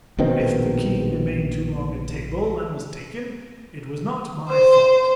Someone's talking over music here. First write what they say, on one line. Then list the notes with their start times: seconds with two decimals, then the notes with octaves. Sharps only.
If the King remained too long at table, and was taken, it was not my fault.
0.18 A#1 B2 D#3 C4
4.48 C5